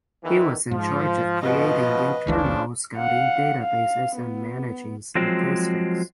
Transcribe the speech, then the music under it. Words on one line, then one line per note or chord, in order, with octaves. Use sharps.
He was in charge of creating internal scouting databases and managing statistics.
E2 D#3 E3
G#2 F3
B2 F3 B4 D#5
F1 C#2 C#3 E3 F3 D4
F5 F#5
F5
B3
F3 F#3 G#3 C4